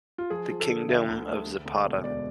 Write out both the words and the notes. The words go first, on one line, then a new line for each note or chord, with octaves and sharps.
"The Kingdom of Zapata".
F4
F3 G#4
F3
A4
D3
D2 E5
D2
A3
D2
D2
E1
E1 D5